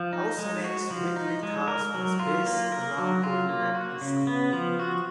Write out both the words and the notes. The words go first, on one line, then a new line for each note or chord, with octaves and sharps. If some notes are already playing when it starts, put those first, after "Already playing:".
Housemates weekly task was based around going back to school.
Already playing: F3
D#4
G#3
F#4
F3
D#4
G#3
A#4
F#3
F4
A#3
A#4
F#3
F4
A#3
F#4
C#3
B3
F3
F#4